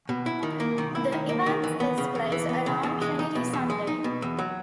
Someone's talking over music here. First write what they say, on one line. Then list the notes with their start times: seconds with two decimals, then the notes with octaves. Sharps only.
The event takes place around Trinity Sunday.
0.09 B2
0.26 E4
0.43 D#3
0.60 A#3
0.78 D#3
0.95 E4
1.12 D#3
1.29 A#3
1.46 D#3
1.63 E3
1.80 B3
1.98 C#3
2.15 E2
2.32 E3
2.49 B3
2.66 C#3
2.83 E2
3.02 G#3
3.19 D#4
3.35 B2
3.53 E2
3.70 G#3
3.87 D#4
4.04 B2
4.22 E2
4.39 F#3